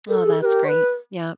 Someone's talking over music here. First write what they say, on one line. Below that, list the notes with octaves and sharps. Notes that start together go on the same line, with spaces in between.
Oh, that's great, yep,
A4 A#4
G#4
G4 A#4 B4
C#5
B4